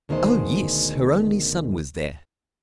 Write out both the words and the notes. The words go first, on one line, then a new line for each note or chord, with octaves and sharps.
Oh! yes: her only son was there.
D2 B2 D#3 G#3 C5 D#5